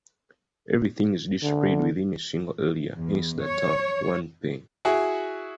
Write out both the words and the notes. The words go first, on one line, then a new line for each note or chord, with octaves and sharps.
Everything is displayed within a single area, hence the term "one pane".
D3
E2
C#5
E4 F#4 G#4